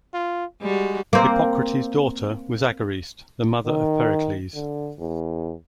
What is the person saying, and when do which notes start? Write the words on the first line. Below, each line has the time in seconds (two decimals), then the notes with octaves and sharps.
Hippocrates' daughter was Agariste, the mother of Pericles.
0.14 F4
0.62 G3 G#3 F#4
1.13 A#3 C4
3.66 D#3
4.54 D3
4.99 E2